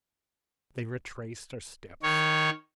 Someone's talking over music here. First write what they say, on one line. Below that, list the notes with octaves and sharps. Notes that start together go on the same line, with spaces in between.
They retraced their steps.
D#3 C#5